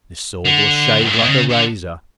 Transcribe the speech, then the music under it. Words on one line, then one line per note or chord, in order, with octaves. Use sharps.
This sword will shave like a razor.
D3
F#2
G2
A2
B2
C#3
D3